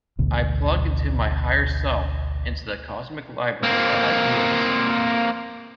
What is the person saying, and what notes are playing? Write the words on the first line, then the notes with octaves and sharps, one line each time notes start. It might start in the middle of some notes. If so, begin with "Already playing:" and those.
I plug into my higher self, into the cosmic library of ideas.
A1 D2 B2
A#3 C4